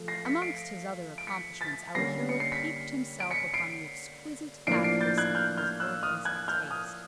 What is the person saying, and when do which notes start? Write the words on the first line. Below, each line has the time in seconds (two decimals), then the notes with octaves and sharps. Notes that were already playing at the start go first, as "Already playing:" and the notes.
Amongst his other accomplishments our hero piqued himself upon the exquisite accuracy of his organs of taste.
Already playing: F3 A3
0.08 A#6 C7
0.25 B6 C#7
0.42 C7 D7
1.18 D7
1.27 B6 C#7
1.61 A6 B6
1.95 D3 G3 A#3 C#4 A#6 C7
2.29 C#7
2.40 C7
2.52 B6 C#7
3.20 D7
3.31 B6 C#7
3.54 C7 D7
4.67 A2 F3 A#3 D4 C7 D7
4.84 C7 D7
5.01 G6 A6
5.18 F#6 G#6
5.35 F6 G6
5.57 F6 G6
5.80 E6 F#6
6.03 D#6 F6
6.25 F#6 G#6
6.48 F6 G6
6.71 D#6 F6